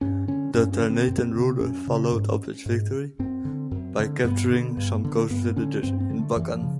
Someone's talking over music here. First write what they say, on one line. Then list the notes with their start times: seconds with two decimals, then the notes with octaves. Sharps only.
The Ternatan ruler followed up his victory by capturing some coast villages in Bacan.
0.01 G2 C#4
0.28 D3 C#4
0.54 G2 C#4
0.72 C#4
0.81 D3
0.90 C4
1.08 F#2 C4
1.35 C#3
1.60 F#2 C#4
1.87 C#3
2.13 G#2
2.66 G#2
3.19 F#2 C4
3.45 D3
3.71 F#2
3.99 D3
4.24 G2 B3
4.51 D3
4.77 G2
5.04 D3
5.30 G2 B3
5.56 D3 C#4
5.83 G2 C4
6.00 C4
6.10 D3
6.19 A3
6.36 F#2 E3
6.54 F3
6.62 C#3